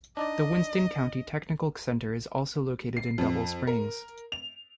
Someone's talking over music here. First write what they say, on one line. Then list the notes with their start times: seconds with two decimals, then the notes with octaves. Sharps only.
The Winston County Technical Center is also located in Double Springs.
0.17 D4 D#4 D5 D#5
2.97 C7
3.18 F2
3.67 A#4
4.32 F7